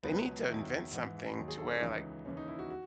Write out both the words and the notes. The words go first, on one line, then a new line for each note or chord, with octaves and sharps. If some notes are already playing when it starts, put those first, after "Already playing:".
They need to invent something to where, like,
C#2 B2 F#3 B4
B4
E2 D#3 F#3 E4
G#2 E3
D#2 D#3 F#3
G#4
A4
C#4
C#2 C#3 E3 D#4
D#2 C#3 E3 C#4
D#4
E4
F#4
F#4